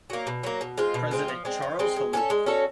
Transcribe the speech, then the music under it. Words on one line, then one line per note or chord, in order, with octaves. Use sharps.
President Charles Helou.
F#3 A#3
B2
F#3 A#3
B2
G#3 C4 F4
B2
G#3 C4 F4
F3
G#3 C4
F3
G#3 C4
G#3
C#4 F#4 A4
G#3
C#4 F#4 A4